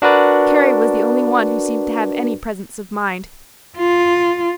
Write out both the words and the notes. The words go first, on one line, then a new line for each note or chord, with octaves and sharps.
Carry was the only one who seemed to have any presence of mind.
D4 F#4 A#4 B4 D5
F4